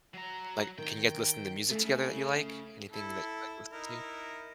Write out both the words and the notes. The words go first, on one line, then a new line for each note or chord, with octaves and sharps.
Like, can you guys listen to music together that you like? Anything that you, like, listen to?
F#3 A#5
D#3 G5
C#3 A3
E4 A4
D#4 E4 A#4